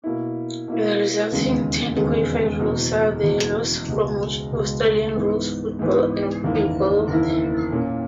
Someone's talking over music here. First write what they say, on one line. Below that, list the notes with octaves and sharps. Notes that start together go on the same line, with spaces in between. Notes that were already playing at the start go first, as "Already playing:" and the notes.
The resulting ten codified rules are the laws from which Australian rules football evolved.
B2 A#3 E4
B2 A#3 E4
E1 D#2 C#3 G#3 B3
E1 D#2 C#3 G#3 B3
F#1 E2 B2
F#1 E2 B2
C#2 B2 G#3
C#2 B2 G#3
G#2 E3 B3
G#2 E3 B3
F#1 E2 D#3 A#3 E4
F#1 E2 D#3 A#3 E4
A#2 A#3 C#4